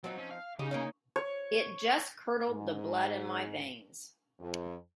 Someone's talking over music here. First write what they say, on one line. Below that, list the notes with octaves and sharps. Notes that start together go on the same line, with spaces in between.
It just curdled the blood in my veins.
F3 F#3 C4 D#4
C#4
F5
C#3 D#4 G4
A#3 B3 C#4
C#5
G#2
F2